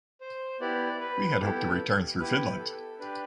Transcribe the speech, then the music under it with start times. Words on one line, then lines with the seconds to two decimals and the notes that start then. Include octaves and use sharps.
We had hoped to return through Finland.
0.21 C5
0.60 B3 E4 G4 D5
1.00 B4
1.40 B3 E4 G4 A4
2.20 B3 E4 G4 B4
2.59 A4
2.99 D4 G4 B4